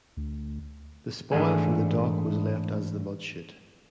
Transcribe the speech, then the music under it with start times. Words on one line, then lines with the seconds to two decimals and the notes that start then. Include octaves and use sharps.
The spoil from the dock was left as the Mudchute.
0.17 D2
1.32 G#2 E3 A3 D4 G#4 G#5